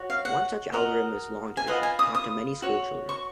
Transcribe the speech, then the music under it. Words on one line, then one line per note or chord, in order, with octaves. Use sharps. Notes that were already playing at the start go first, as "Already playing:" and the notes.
One such algorithm is long division, taught to many school children.
Already playing: F#4 C#5
F5
F#5
F#4 A#4 D#5 F#5
G#5
F4 B4 D#5 F#5
G#5
D#6
D#6
F#4 C#5
C#6